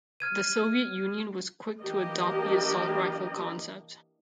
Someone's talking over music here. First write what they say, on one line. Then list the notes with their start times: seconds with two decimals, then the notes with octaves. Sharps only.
The Soviet Union was quick to adopt the assault rifle concept.
0.20 F6 G#6 D#7
1.83 E3 A#3 D4 G4 A#4 D#5